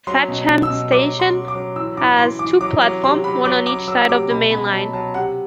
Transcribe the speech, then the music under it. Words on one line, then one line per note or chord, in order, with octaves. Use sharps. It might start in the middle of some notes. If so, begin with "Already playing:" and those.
Thatcham station has two platforms, one on each side of the main line.
F#3 C6
B2
B2
E6
B2
F#3 D6
F#3
C6
F#3
D6
F#3
E3 E6
E3 D6
E3 C6
E3 D6
F#3 D6
F#3 D6
C3 C6
F#3 B5
F#3 D6
F#3 D6
F#3 E6
C3 D6
B2 B5
B2 B5
F#3 A5
F#3 A5
C3 F#5